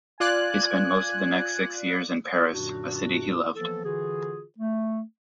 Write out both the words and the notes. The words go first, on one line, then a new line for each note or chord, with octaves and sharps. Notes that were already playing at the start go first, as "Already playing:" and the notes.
He spent most of the next six years in Paris, a city he loved.
F4 D5 G#5 F#6
F#2 A#2 D3 F#3 D4 F#4
E3 F3 A#3 B3 A4
D3 E3 F4 F#4 G#4
A3